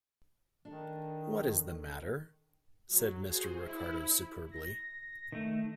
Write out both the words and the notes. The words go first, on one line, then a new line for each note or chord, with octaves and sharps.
"What is the matter?" said Mr. Ricardo superbly.
D#3 D4 A4
F#3
F#4 G#4 C5
E4
A#6
D#3 A3